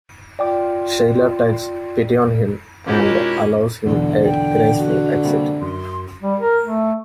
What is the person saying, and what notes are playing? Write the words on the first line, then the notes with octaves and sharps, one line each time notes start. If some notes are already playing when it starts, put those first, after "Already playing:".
Sheila takes pity on him and allows him a graceful exit.
F4 D5 G5 D6
B2 D#3 G#3 C#4 E4 F4 G4
B1 E2 D3
G5
F#4
C3 G3 A#3
F#2 C6
G3
A#4
A3